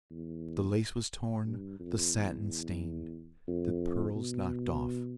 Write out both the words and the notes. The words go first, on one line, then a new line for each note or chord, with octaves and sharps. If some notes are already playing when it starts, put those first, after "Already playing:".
The lace was torn, the satin stained, the pearls knocked off!
E2
G2
F2
E2
F2
B2